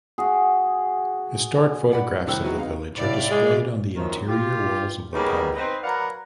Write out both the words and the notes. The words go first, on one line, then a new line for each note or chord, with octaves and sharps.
Historic photographs of the village are displayed on the interior walls of the pub.
F#4 G#4
D5 F#5 B5
C2 A2 D#3 C4 E6 F#6
E3 F#3 B3 D#4 F#4 G#4
C3 D#4 F5
A2 C3 E4 D5 F5
G#3
F#2 D#3 F3
F4 G4
G3 A#3 B3 C#4 D#4 G#4
C4 D#4 B4
F#3 A#4 B4 D5 F5 F#5